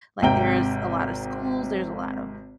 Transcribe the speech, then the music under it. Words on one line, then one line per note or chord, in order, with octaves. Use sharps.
Like, there's a lot of schools, there's a lot of
G#1 C3 E5 G5 A#5 G7